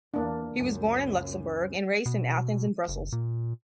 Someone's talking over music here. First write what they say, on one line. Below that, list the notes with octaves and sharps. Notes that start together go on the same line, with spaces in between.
He was born in Luxembourg and raised in Athens and Brussels.
E2 A#3 D4
C#2 F#2
B2
F#1
A#2